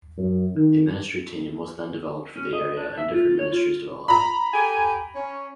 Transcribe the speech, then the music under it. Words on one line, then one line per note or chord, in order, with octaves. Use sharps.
A ministry team was then developed for the area and different ministries developed.
F#2
D#3
C#4
D#5
D4
E5
F4
C#5
F4
A#5 B5
G4 A4 G#5
C#4